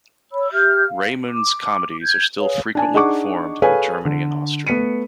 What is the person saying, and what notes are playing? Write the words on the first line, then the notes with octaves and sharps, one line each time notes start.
Raimund's comedies are still frequently performed in Germany and Austria.
C#5 B5 E6
G4 E5 F6 G6
F5
D6
G6 G#6
G#4 B4 C#5 F5
D4 G#5 A5
D4 D#4 G#4 F#5 C#6 D6
G#4 A4 B4 C#5 F5 G#5
D3
A3 B3 B6 C#7 D#7